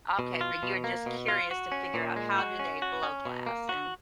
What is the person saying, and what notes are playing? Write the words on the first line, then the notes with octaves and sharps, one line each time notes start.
Okay, but you're just curious to figure out how do they blow glass and
B2
F4
B2
A#3
B2
F4
F#4
C#4
A#2
G#3
F#4
C#4
F#4
C#4
B2
A#3
F#4